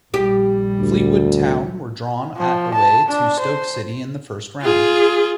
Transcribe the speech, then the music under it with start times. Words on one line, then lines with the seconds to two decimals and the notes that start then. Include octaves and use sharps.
Fleetwood Town were drawn at away to Stoke City in the first round.
0.14 A#1 G3 G4
0.79 D2
2.37 F3
2.74 A5
3.08 D4
3.39 C5
4.62 F4 G#4